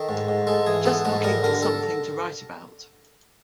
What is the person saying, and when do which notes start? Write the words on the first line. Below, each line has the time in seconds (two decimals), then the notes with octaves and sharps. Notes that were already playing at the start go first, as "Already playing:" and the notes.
Just looking for something to write about.
Already playing: D#3 A4
0.09 G#2
0.28 G#2
0.47 G#3 A4
0.66 E3 G#4
0.85 B3 A4
1.05 G#2 A4
1.24 G3 A#4
1.43 D3 A#4
1.62 A4